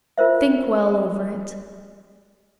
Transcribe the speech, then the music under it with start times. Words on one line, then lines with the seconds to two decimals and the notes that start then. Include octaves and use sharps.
Think well over it.
0.18 F4 A#4 C5 E5